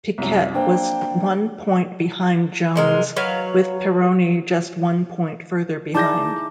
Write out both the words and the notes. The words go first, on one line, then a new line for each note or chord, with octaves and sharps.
Piquet was one point behind Jones with Pironi just one point further behind.
C2 F#2
A#3 C4 D4 G5
C3 G#3 A#4
F#3 B4 C#5 F5
D#4 E4 G#4 D5 A5 D6 G6 A#6